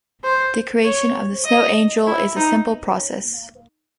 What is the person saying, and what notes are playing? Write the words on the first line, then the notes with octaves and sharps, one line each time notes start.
The creation of the snow angel is a simple process.
C5
C#5
D#5
E4
D#4